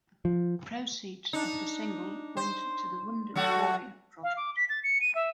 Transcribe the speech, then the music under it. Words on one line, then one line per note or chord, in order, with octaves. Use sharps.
Proceeds of the single went to the Wounded Warrior Project.
F3
D4 D#4
C5
F#3 A3 F#4
F5
D6
B6
A6
C#7
D#7
E5